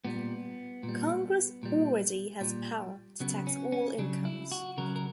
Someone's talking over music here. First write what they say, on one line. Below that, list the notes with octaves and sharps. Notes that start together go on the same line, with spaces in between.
Congress already had power to tax all incomes.
A#2 G3 B3
A#2
G3
A#2 G3
A#2 G3
C#3 F#3 B3
C#4
C#4
C#3 F#3 D4
E4
F#4
C#3 F#3 A#4
A#4